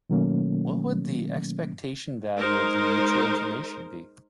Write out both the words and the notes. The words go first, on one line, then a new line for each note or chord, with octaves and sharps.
What would the expectation value of the mutual information be?
B2 D#3 F#3 A3 A#3 C#4
G#3 D#4 A#4 C5